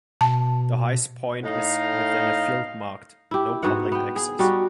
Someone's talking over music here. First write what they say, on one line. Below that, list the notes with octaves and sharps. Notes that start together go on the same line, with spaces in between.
The highest point is within a field marked "No public access".
B2 A5
A2 D#4 F5
E4 G4
G#2 B3 F#4 F#5
B3 G5
G#4
G3 D#4 F#4